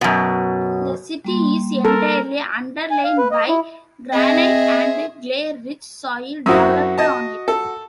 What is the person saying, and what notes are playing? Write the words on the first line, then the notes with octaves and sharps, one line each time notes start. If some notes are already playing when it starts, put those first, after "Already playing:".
The city is entirely underlain by granite, and clay-rich soil developed on it.
F#2 B2
G3 A#3 C6
A4 A#4
G#5
F5
B4
D#5
E4
C4 G#4 D#5 E5
F#2 C4 E4 F#4 D#6 E6
D#5 A5
A4